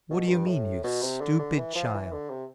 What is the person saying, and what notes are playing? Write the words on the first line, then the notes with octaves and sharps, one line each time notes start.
What do you mean, you stupid child?
B2
G2
A2
B2
C3
D3
D3
E3
F3
E3
D3
C3